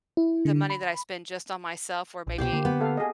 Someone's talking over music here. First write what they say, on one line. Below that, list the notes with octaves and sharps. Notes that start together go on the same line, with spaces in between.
the money that I spend just on myself where maybe
E4
D3
B5
A#1
C2 B2 B3 G4 C5 G5
D3 A#3
B3
A4 F5
G#4 D#5